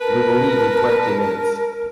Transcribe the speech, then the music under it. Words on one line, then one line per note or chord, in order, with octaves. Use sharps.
We will leave in twenty minutes.
A#4 B4 A5